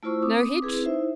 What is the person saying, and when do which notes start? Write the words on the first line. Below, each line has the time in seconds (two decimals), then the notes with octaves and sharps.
"No hitch?"
0.03 A3 E4 F4 C5 C#6 E6
0.22 C4 D6 D#6
0.62 C4 E4 G#4 B4
0.83 D#4 E4 C5 E5